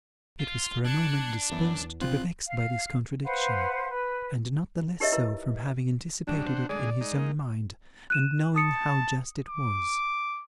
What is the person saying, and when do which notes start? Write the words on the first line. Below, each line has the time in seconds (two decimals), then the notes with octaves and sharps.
Kit was for a moment disposed to be vexed by this contradiction, and not the less so from having anticipated it in his own mind and knowing how just it was.
0.39 F4 C7
0.85 D4 F#6 G#6 C#7
1.52 F#2 E3 B3
1.81 E2
2.01 A#1 C4 F4 F#6
2.47 F5
3.23 B4 C5 F5 F#5
3.89 B4
5.00 D#4 G4 A#4 C#5 D#5 E5
5.12 E4 A#4 B4
6.28 G#2 F#3 G3 D4
6.47 C3 C5 F#5
6.69 D3 G#3 G#4 D5
7.01 G#3 D#4
7.16 A#3
8.10 F#6 D#7 E7
8.56 A5 D#6 C#7
9.48 D6